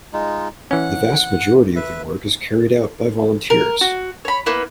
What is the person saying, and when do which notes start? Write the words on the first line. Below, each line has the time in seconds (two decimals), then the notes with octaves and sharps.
The vast majority of their work is carried out by volunteers.
0.13 G#3 D#4 F4
0.71 E3 C#4 F#5
1.76 B4 E5
3.50 A#4
3.81 F#4
4.25 C#5 B5
4.46 A#3 B3 E4